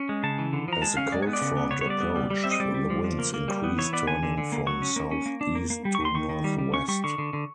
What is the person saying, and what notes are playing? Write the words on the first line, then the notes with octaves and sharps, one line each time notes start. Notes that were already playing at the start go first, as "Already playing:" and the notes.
As the cold front approached, the winds increased turning from southeast to northwest.
Already playing: C#4
G#3
C#3 A5
E3
D3
F3 A#5
G#3 A5
C#4 F5
G#3 D5
C#5
B3
D5
C#3
B3
B3 C#5
C#5
G3 D5
B3
G3
G3
C4 E5
D#5
G3 D5
G3
F3
F3
A#3
A#3
G3
B3
E3 C#5
B3 D5
D3 G#5
D3
D3
A#3
F#3 C#6
C#4
A#3
C#4
A#3
D4
A#3
A#3
G3
C#6
D#3
C6
D#3 C#6
D#3
G3
G3
C#4 C#6
G3 C#6
D3 C#6
D3
D3